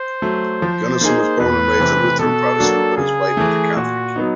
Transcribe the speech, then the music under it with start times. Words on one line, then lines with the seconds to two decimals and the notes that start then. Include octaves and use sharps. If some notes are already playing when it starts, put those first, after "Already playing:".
Gunnarsson was born and raised a Lutheran Protestant, but his wife was a Catholic.
Already playing: C5
0.22 F#3 A3
0.62 F3
1.01 A#3 D#4 G#4
1.40 E2 B4
1.79 C3 E3 A3 C4
2.19 B2 A4
2.58 F#3 A#3 D4 F#4
2.97 C#3 G#4
3.37 E3 A3
3.76 A#2 F#4
4.16 F#3 B3 D#4